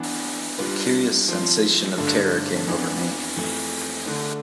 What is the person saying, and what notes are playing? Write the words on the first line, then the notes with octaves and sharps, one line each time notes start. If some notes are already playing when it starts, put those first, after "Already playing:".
A curious sensation of terror came over me.
Already playing: E3 B3 D4
G3 D4 F4 B4
F3 C4 F4
G2 D3 A3 D4 A4
F2 E3 B3 D4
F2 E3 A3
D3 A3 D4